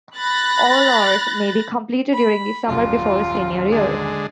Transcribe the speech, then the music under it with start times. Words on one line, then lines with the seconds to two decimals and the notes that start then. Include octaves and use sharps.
All hours may be completed during the summer before senior year.
0.17 B5 F#6 A6 A#6
2.13 B5
2.68 D#1 G#1 F#2 F4
3.72 D3 G#3